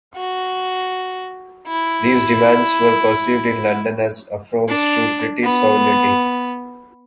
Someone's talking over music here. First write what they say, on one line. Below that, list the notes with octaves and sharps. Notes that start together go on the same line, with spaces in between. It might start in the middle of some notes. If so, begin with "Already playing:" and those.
These demands were perceived in London as affronts to British sovereignty.
F#4
E4
D4
B3